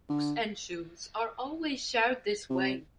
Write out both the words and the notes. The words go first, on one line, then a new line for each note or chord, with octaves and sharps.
Books and shoes are also shared this way.
D3
C3